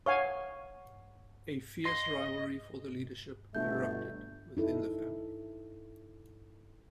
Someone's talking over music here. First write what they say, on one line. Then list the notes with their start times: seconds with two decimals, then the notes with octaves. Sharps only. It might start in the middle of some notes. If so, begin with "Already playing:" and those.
A fierce rivalry for the leadership erupted within the family.
0.06 C#5 F5 F#5 G#5 C#6
1.85 D#5 C6
3.55 G1 B2 A3 E5 G6
4.57 D#4 E4 A4